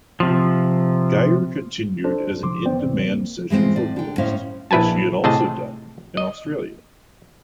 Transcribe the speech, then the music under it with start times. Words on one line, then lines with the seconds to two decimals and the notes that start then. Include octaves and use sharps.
Geyer continued as an in-demand session vocalist, which she had also done in Australia.
0.20 C3 F3
2.04 D4 A4 C5
2.42 C2 D3 F3 C6 D6
2.65 F#2 B3 C5 D5 G5
2.83 D#2 A2 C3 E3 C4
3.07 A#3
3.50 E3 G#3 A3 C4 F4
3.76 A2 D5
3.96 D3 G5
4.18 A2 C#4 E4 C5 D#5 F5
4.71 A#1 E4 B4 G#5 A5
5.24 A2 C3 G#4 D#5 A5
6.17 D#5